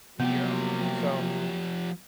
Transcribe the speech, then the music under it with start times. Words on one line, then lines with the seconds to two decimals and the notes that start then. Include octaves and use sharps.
Yeah. So,
0.20 C3 F3 F#3 A#3 B3 G4